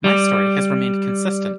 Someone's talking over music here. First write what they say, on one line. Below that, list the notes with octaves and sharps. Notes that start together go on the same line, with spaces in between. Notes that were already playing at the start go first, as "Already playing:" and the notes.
My story has remained consistent.
G3